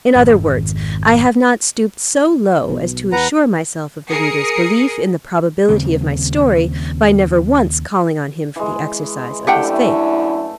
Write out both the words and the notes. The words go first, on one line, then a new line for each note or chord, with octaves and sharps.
In other words, I have not stooped so low as to assure myself of the reader's belief in the probability of my story, by never once calling on him for the exercise of his faith.
G#1 F2
B1 B2
E2 B4 F#5 A#5
G#4 A#4 D#6 C7 C#7
D#2 C#3 G3 C4
E3 G#3
F#2 A3 D4 E4 G4 F#5 G5